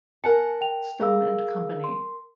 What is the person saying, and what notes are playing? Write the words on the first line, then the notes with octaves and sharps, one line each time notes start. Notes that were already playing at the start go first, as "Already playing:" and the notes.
Stone and Company.
A#4 F#5 G#5 A5 C#7
G5 F7
G#4 A#4 F5 E6
C6